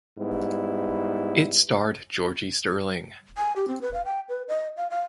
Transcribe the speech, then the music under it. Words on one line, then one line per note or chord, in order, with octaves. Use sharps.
It starred Georgie Sterling.
G#2 G3 B3 E4
G#5
G4
C4
B4
F5
G5
B4
D#5
F5
F5